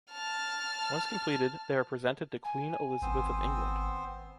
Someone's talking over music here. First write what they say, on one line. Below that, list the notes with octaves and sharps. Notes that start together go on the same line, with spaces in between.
Once completed, they were presented to Queen Elizabeth of England.
A5 F6
G#5
G#1 B3 C4 C5